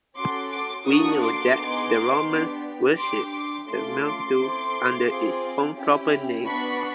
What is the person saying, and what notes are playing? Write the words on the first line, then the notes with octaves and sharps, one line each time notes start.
We know that the Romans worshipped the mildew under its own proper name.
C#4 F#4 A4 C6 D6
C6 D6
A#3 D4 F#4 A4 C#6 D#6
C6 D6
B3 D#4 G#4
B3 D4 G4
D4 G4 C6 D6
C6 D6
A3 C#4 F4 A4 C6 D6
C4 E4 A4
C4 F4 G#4
C#4 E4 G4
B3 D4 F#4 B5 C#6